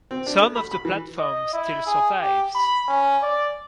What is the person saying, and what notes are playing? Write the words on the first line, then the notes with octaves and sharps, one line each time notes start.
Some of the platform still survives.
C4
D4
A3
B5
B5
E3
D#5
E4
G#4
G4
B5
C#4
D5